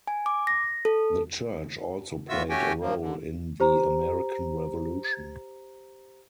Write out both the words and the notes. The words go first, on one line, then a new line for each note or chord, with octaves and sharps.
The church also played a role in the American Revolution.
G#5
D6
A#6
A4
D#2 A2 F4 F#4 E5 E6
A3 C#4 F#4 G4 G5 G#5
D#2 F3 A#3
D3
G4 C5 A#5